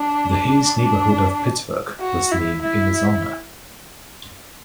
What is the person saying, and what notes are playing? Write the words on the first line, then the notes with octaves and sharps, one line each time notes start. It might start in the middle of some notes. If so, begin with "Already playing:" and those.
The Hays neighborhood of Pittsburgh was named in his honor.
Already playing: D4
D4
F#4
E4
E4